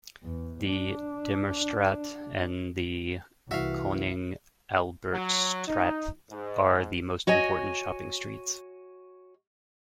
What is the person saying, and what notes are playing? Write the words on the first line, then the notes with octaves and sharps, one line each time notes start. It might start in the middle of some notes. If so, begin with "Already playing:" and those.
The Demerstraat and the Koning Albertstraat are the most important shopping streets.
E2
D4
C2 E3 F#4 E5 F5
F#3
D#4
G#2
F#4 C#5 D#5 G#5